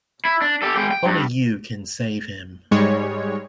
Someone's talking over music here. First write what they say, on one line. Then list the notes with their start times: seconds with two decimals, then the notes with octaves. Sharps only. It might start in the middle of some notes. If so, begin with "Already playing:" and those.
Only you can save him.
0.25 E4
0.42 D4
0.62 G4 A4
0.76 G#3 G5
0.91 G5
1.06 G2
2.71 G#2 G3 G#3 C#5